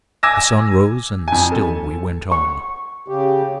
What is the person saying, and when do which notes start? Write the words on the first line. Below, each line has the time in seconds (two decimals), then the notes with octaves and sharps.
The sun rose and still we went on.
0.23 G#5 D6 E6 G#6 A#6 E7
1.28 F2 G#5
1.52 A4
2.32 C#6
3.08 C#3 G4